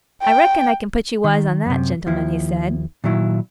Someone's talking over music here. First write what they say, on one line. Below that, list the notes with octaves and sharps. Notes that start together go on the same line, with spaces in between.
'I reckon I can put you wise on that, gentlemen,' he said.
G5
D#3
F#2 C3
D#2 F3 E4
A#2 D#3 F#3 E4